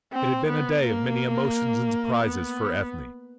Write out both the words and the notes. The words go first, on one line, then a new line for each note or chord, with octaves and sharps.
It had been a day of many emotions and surprises for Ethne.
C4
B3
A#3
B3